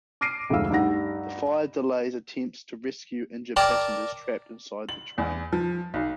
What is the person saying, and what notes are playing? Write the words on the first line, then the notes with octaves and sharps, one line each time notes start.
The fire delayed attempts to rescue injured passengers trapped inside the train.
D6 F6 A#6 C7 D7 D#7
F1 D2 G#2 E4 F5 E6
G2 D#4 G4 F#5 A#6
A#4 D5 G5 A5 D6
F#7
E2
F3
B1